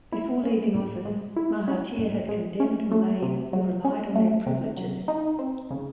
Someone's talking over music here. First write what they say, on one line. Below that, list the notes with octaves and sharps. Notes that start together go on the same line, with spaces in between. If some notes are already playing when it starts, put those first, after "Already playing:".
Before leaving office, Mahathir had condemned Malays who relied on their privileges.
E4
C#4
A2
G#3
E4
C#4
A2
G#3
C#4
A3
C3
F#3
C#4
A3
C3
F#3
D#4
C4
C#3